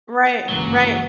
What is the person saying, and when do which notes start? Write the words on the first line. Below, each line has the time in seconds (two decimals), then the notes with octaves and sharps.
Right, right.
0.48 G1 C#2 F#2 E3 F#3 A#3